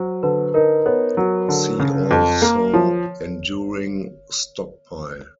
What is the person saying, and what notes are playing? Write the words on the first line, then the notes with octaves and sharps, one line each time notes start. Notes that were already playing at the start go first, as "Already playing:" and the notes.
See also Enduring Stockpile.
Already playing: F#3 C5
D3 B4
D#4 A#4
B3 C#5
F#3
D3
C#3
F2
A#3
F3 C#5